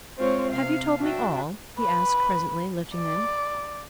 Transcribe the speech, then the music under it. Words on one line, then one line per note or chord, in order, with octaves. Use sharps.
"Have you told me all?" he asked presently, lifting them.
G#3 C4 F4 C5 C#5
C3 F5
D4 F#4 E5 G5 A5
B4
D5